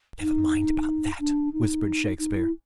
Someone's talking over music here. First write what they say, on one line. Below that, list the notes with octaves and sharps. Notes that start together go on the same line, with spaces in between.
"Never mind about that," whispered Shakespeare.
D#4
D4
D#4
D#4
E4